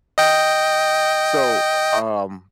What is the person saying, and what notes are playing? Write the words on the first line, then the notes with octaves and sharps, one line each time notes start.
So, uh, um,
D#5 G5